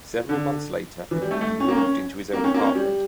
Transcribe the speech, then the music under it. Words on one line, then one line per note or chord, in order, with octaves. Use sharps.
Several months later, he moved into his own apartment.
D3
E3
G3
A3
A3
C#4
A#3
C#4
A#3
C#4
A#3
C#4
G3